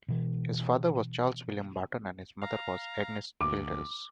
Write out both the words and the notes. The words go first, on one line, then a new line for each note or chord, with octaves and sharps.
His father was Charles William Barton and his mother was Agnes Childers.
B2 E3
F5 A#5
D2 D6